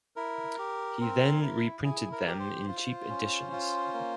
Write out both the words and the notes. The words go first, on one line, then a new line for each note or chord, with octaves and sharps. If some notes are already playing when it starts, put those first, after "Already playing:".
He then reprinted them in cheap editions.
E4 A#4
G4
C4
E4
E4 G#4
A#4
G4
C5
F4
C#4
F4
A#3